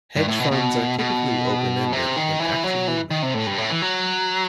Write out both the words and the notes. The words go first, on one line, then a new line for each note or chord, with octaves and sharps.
Hedge funds are typically open-ended and actively managed.
G2
A2
B2
B2
B2
C3
D#3
E3
F#3
E3
D#3
C3
A2
G2
A2
E3
F#3